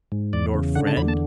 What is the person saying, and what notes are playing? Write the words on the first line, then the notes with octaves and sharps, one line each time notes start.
"Your friend?"
G#2
E2 D5
C#3
D3 F#5
A5
E2 B5
A5